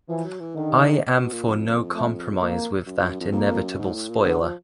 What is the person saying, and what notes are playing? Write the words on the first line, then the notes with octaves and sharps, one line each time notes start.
I am for no compromise with that inevitable spoiler.
E3 F3
F#3
E3
D3 D#3
C3
C#3
B2
A#2
F2
A3
A#3
F#2
F2
F#2
F2
F2 A#3
F2
F#2
G#2
A2
A#2
D3 B3
F3